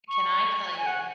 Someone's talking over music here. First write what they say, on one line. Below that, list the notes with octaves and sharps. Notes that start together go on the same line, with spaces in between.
can I tell you?
C#6
G#5
F#5